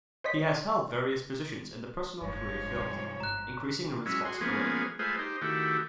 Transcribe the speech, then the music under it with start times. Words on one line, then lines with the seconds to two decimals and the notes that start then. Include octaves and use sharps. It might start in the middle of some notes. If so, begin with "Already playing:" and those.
He has held various positions in the personnel career field, increasing in responsibility.
0.24 C5 C#5 D#5 B6
2.21 F#1 G#2 F3 C#5
2.76 C3
3.20 G1 A#5 F#6
4.06 F#3 G#3 C#4 E4
4.25 F#4 G#4 C6
4.41 F3 G#3 A#3 B3 C#4 G#4
4.99 G#3 A3 F4 G#4 B4 C5
5.18 D#4 G4 C5
5.42 D#3 A3 E4 F#4 G4